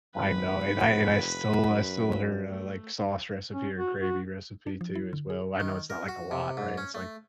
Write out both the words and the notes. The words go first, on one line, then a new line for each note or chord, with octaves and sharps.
I know. And I and I stole I stole her, uh, like, sauce recipe or gravy recipe, too, as well. I know it's not, like, a lot, right? It's like
G#1 B4 B6
F1
F#2
A3
C#4
F#4
F#4
D4
F3
E4
D3
G#4
D#3
A#4
F#4
C3
G#2
C#4
A3